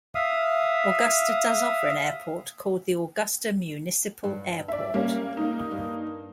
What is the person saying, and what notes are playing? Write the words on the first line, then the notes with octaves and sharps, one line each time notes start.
Augusta does offer an airport called the Augusta Municipal Airport.
E5 F5 D#6
G2
D5 E5
G3 A#3 C#4
A#3 D#4
G2